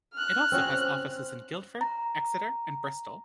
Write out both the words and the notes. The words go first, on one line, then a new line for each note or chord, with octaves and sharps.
It also has offices in Guildford, Exeter and Bristol.
F6 F#6
C4 C#4 F#4
A#5